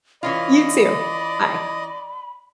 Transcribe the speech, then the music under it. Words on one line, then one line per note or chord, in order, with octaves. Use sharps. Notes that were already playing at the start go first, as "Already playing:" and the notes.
You, too. Bye.
E3 C#4 F4 D5 D#5 B5